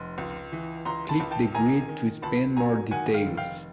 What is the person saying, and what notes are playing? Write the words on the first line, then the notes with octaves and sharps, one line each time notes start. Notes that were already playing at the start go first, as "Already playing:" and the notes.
Click the grid to expand more details.
Already playing: F1 C6
C#2
E3
C#2 A#5 C6
A5 B5
C#2
G5 A5
D#3 G#5 A#5
D#3
C#2 A5 B5
F#3 G#5 A#5
D#3 F#5 G#5
F5 G5
F1
F5 G5